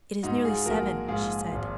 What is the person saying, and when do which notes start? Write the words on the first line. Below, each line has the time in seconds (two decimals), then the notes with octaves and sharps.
'It is nearly seven,' she said.
0.23 G#2 D#4 F#4
0.45 F4 G#4
0.65 A#1 F#4 A#4
1.08 G#2 F4 G#4
1.51 G#1